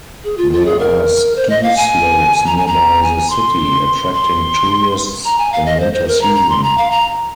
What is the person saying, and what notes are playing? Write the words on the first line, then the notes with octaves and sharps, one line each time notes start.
There are ski slopes nearby the city, attracting tourists in winter season.
G#4
F4
F4
G#4
A#4
C5
D#5
F5
G#5
A#5
G#5
A#5
G#5
C6
C6
A#5
G#5
F5
D#5
C5
C5
A#4
A#5
A#5
C6
A#5
F5
A#5